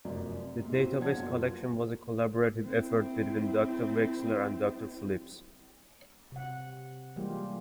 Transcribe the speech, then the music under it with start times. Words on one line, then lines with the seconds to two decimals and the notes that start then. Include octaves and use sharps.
The database collection was a collaborative effort between Doctor Wechsler and Doctor Phillips.
0.05 F1 F#2 F3 D5
0.43 C3
0.60 G#2 B2 A#3
0.74 C4 E4 F#4 G4 C5
1.00 B2 F3 D4 F#5 A5 G#6
1.16 F#2 A#3 F4
2.65 C4 E4
6.32 C3 F#5
7.16 E3 G3 G#3 A#3 F4 G4